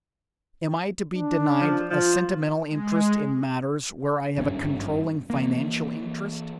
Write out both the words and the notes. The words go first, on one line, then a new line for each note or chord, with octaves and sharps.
Am I to be denied a sentimental interest in matters where I have a controlling financial interest?
D4
F3
F3 F4
G#3
G#1 G2 C#3 C#4
E3 A#3